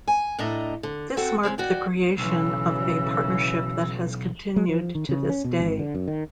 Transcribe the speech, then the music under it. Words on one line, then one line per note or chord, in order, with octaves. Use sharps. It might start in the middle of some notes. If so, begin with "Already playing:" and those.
This marked the creation of a partnership that has continued to this day.
G#5
A2 D4 A4 D#5 A#5
D3
C4 F#4 A4 F#5 G5
C#3 F3 G#3 C4
D#2 F#4 D5 G5
B1 C#3 E3 E6
G#3
F3
D#3
C#3
C#4
B2
G#1
D3
F#2
D#3